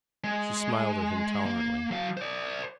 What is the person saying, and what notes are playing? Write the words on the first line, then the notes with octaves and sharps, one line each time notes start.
She smiled at him tolerantly.
G#3
A#3
F#3 F5
C5 D5